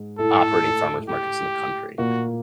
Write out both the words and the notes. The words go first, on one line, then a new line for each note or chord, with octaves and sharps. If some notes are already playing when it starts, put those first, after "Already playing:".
operating farmers' markets in the country.
Already playing: G#2 G#3
A2 A3 A4
G4
A#2 A#3 F#4